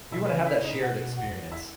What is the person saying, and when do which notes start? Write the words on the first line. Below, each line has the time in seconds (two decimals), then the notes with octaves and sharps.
You wanna have that shared experience.
0.11 B2 E4 E5
0.25 B4
0.29 C#3 C#4 C#5
0.46 C#3 E4 E5
0.64 D#4 D#5
0.71 A#2
0.82 B2 F#4 F#5
1.16 A#2 F#4 F#5
1.24 E2
1.28 F#2
1.40 E2
1.51 E4 E5